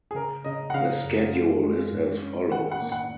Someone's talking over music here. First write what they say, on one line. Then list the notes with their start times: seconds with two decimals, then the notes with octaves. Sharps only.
The schedule is as follows.
0.11 G#4
0.15 C#3 A#4
0.44 C#3 D#5
0.70 F#5
0.74 C#3 F5
1.04 F#2
1.34 G#3
1.63 G#3
1.93 G#2
2.22 C#4
2.52 D#3 F#5
2.71 F#5
2.82 A#3
2.92 F#5